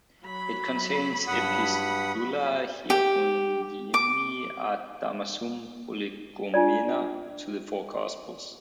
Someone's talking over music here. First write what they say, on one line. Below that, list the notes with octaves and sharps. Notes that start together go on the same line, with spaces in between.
It contains Epistula Hieronymi ad Damasum, Prolegomena to the four Gospels.
F#3 B5
G2 F#5 D#6
G4
D6
D4 F4 D5